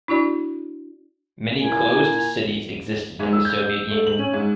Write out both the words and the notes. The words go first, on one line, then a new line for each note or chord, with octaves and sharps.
Many closed cities existed in the Soviet Union.
D4 E4 F#4 D5
A#2 E4 G#5
G#2
E6
G6
A3
F#7
C#4
G#2